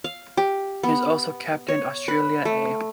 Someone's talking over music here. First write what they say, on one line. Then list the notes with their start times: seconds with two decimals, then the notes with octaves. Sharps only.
He has also captained Australia A.
0.04 F5
0.37 G4
0.83 B3
1.68 C#5
2.08 B4
2.45 A3